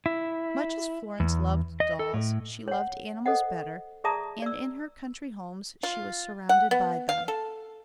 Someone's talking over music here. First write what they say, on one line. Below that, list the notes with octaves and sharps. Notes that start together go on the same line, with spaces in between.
Much as Florence loved dolls, she loved animals better, and in her country homes she was surrounded by them.
E4
E2
D#5
A4
A2
C#5 F#5
A4 C5 D#5 F#5
G#4 D5 E5 A5 A#5 D#6
D5 E6
F4
F#5
B3
F5
A4